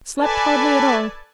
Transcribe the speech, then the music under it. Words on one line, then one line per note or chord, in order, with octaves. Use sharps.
Slept hardly at all.
A4 B4 D5 G#5 A5